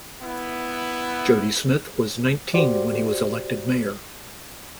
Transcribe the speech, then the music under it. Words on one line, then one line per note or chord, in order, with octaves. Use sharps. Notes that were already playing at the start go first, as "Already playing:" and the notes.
Jody Smith was nineteen when he was elected mayor.
B3 E4
F#4 G4 C5 D5